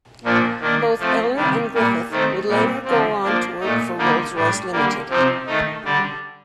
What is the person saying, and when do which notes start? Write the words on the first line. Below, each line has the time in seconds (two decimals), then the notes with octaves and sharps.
Both Ellor and Griffith would later go on to work for Rolls-Royce Limited.
0.24 A#2 F3 A#3 D4
0.61 D#3 A#3 D4
0.99 F3 A3 C4
1.36 C3 D#3 G3
1.74 A#2 G3 A#3
2.11 D#3 A3 C4 D#4
2.48 A#2 G3 C4
2.85 D3 F3 C4
3.23 F3 A#3 D4
3.61 A#2 A3 D#4
3.98 D3 G3 A#3 D#4
4.35 A2 G3 D4
4.72 D3 G3 A#3
5.09 C3 F3 C4 D#4
5.47 D#3 A3 D#4
5.85 D3 G3 D4